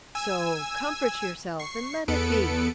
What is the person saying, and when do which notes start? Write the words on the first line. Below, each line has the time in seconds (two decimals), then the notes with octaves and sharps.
So comfort yourself, and let it be!
0.15 G#5 E6 G#6
1.59 C#6 C7
2.08 E2 B3 A4 B4 C#7 D7